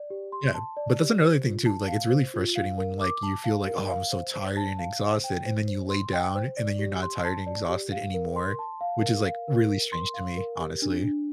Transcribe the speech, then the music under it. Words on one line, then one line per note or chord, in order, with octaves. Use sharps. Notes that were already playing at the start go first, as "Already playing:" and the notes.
Yeah, but that's another thing too, like, it's really frustrating when, like, you feel like, "Oh, I'm so tired and exhausted," and then you lay down, and then you're not tired and exhausted anymore, which is, like, really strange to me, honestly.
Already playing: D5
G4
C6
A5
D5
G4
C5
F4
A5
F5
C5
F4
F5
A#4
D6
A5
F5
A#4
F5
C5
C5
A5
F5
C5
G5
C5
C5
C6
G5
C5
D5
G4
C6
A5
D5
G4
F5
A#4
C6
A5
F5
A#4
F5
A#4
A#4
C6
F5
A#4
G4
D4
D4